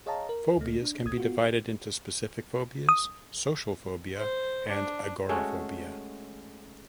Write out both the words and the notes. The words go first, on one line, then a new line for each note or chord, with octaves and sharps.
Phobias can be divided into specific phobias, social phobia, and agoraphobia.
G#4 C#5 D#5 F5 A5 A#5
A#4
D2 A3
D4
G#1 C#2 D#6 G#6
B3 F4 F#4
D#6
C5
D4
G#3 A3 C#4 F#4